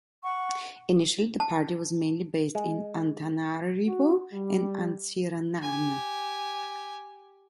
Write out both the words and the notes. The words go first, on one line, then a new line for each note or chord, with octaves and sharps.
Initially the party was mainly based in Antananarivo and Antsiranana.
F#5 C#6
A5
G#3
F#4
G3
G4 G#5